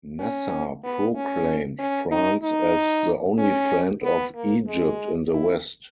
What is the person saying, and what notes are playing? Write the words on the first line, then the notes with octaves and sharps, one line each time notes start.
Nasser proclaimed France as the only friend of Egypt in the West.
C#4
B3
C#4
C#4
D#4
D#4
C#4
B3
A#3
G#3
E4